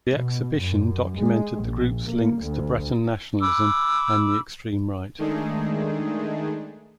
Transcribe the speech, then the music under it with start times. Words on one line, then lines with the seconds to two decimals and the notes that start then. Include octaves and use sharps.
The exhibition documented the group's links to Breton nationalism and the extreme-right.
0.16 B2
0.59 F#2
1.20 G#3
1.62 A#1
2.10 A#3
2.45 D2
3.41 B5 D6 E6
5.18 D#3 G#3 A3 D4 D#4 G#4